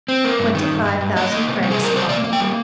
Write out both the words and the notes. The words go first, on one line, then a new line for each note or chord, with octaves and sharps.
"Twenty-five thousand francs a bottle."
C4
A#3
G2
D#3
G2
G2
G2
A#3 D#5
A#3
C3
G3
G#4
C3
A#4
G3 C5
A#3 D5
A#3
G5
G3